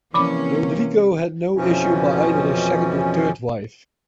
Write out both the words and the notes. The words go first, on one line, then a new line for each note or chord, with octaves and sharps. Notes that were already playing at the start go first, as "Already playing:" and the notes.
Rodrigo had no issue by either his second or third wife.
C3 E3 F3 A#3 C#4 B5 D6
F2 B2 E3 F3 C#4